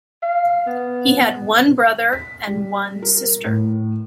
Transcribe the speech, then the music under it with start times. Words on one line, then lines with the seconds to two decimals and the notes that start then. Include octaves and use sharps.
He had one brother and one sister.
0.23 F5
0.67 B3
2.13 B6
2.47 G3
3.02 A#4
3.45 A2